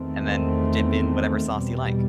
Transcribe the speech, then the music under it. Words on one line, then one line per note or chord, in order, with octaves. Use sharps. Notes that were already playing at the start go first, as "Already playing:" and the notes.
And then dip in whatever sauce you like.
Already playing: E2 D#3 A3 C4
E2 B2 G3